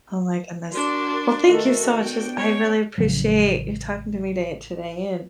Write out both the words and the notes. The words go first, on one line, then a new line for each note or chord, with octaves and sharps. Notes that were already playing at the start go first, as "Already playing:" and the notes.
oh my goodness, well, thank you so much 'cause I really appreciate you talking to me day today, and
D4 F#4 A#4 D5 C6
D#3 A3 F#4 A4
B3 D4 G5
C#5
A1 C#3 F3 F#3